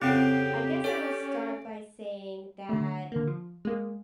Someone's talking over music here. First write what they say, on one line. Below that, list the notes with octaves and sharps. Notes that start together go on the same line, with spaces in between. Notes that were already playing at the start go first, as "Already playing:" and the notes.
I guess I would start by saying that
F2 C#3 C4 C#4 G4 G5
C#4 A4 D5
D3 A3
D3 A#3
F3
G#3 A#3